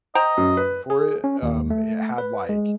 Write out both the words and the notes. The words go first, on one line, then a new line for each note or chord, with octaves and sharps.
for it, um, it had, like
C5 D#5 G5 A#5
F#2
B4
G#4
C#4
D#2
A3
B4
G#3